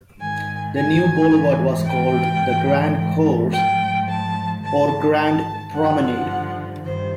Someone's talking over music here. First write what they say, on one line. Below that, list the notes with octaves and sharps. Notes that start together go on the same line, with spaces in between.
The new boulevard was called the "Grand Cours", or "Grand Promenade".
G#2 D#3 G#5
G#5
G#2 E3
G5
G#2 E3
G#2 F3 G5
A5
G#2 D#3 A5
A5
G2 D3 F3 F#5
G2 D#3 C5